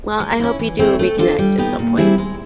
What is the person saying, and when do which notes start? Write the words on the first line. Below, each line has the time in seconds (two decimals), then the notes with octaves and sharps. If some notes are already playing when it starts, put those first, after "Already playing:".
Well, I hope you do reconnect at some point,
0.20 G#3
0.40 C#4 E4
0.59 E3
0.79 A3 C4 E4 G#4
0.99 A3
1.18 D4 F4 A4 C5
1.39 G3
1.58 B3 D#4 G4
1.79 A#2
1.98 G3 C4 E4 G#4
2.18 G#3